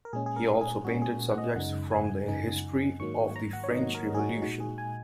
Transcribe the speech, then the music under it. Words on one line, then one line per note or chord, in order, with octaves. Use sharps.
He also painted subjects from the history of the French Revolution.
A#4
A#2 G#3 C#4 G#4
G#4
A#4
G#4
A#2 G#3 C#4 F#4
G#4
F#5
D#5
F#2 C#3 G#3 D#4 F#5
G#5
F#2 C#3 G#3 D#4
G#2 D#3 F#3 A#3 C#6
A#5
F#5
C#5
G#2 D#3 F#3 A#3 D#5
A#4
G#4
F#4
A#2 G#3 D#4 F#4
G#4
G#5